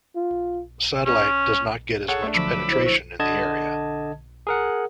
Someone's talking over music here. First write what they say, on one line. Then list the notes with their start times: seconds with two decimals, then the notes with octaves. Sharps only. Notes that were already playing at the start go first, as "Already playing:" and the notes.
Satellite does not get as much penetration in the area.
0.15 F4
1.06 C#4
2.08 G#4 A4 C#5 F#5
2.22 A3 D4
2.34 D3 F3 F#3 B5 D6 E6
2.68 E4 C5 F#6
2.86 C#6 E6
3.19 D3 D#5 A5 G#6
4.47 G#4 A#4 F#5